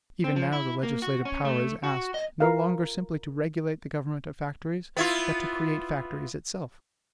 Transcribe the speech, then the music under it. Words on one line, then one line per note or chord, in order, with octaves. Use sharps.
Even now the legislative power is asked, no longer simply to regulate the government of factories, but to create factories itself.
C4
F3
E4
A#3
F#4
C#4
A3
F#4
D#5
F4 A#4 F5
B3 E4 F4